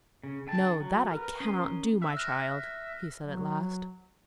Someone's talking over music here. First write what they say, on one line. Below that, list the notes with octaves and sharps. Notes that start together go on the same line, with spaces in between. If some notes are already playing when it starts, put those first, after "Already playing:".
'No, that I cannot do, my child,' he said at last.
C#3
D3 G5 A5
F#3
A#4 B4
C#4 A#4 C6 D#6
E5
F6 F#6 A#6
F#3